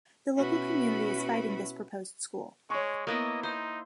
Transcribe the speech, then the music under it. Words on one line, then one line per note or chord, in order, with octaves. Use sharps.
The local community is fighting this proposed school.
B2 C#4 E4 F#4 B4 B5
G#3 C#5 C#6
A#3 B3 E4 D#5
D#4 C5